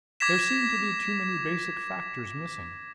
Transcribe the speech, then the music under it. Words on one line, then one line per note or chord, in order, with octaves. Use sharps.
There seem to be too many basic factors missing.
D6 G#6 A#6 B6 E7